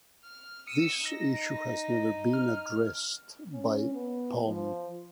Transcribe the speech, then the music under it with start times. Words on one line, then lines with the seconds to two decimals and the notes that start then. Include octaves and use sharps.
This issue has never been addressed by Palm.
0.24 F6
0.67 D#6 E6 C#7
1.06 D#4 A#6
2.33 F6
3.53 C#4
3.94 B3
4.48 F3